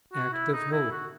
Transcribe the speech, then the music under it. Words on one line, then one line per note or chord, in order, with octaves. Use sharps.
Act of Hope.
F#4
E4
D#4
E4
F#4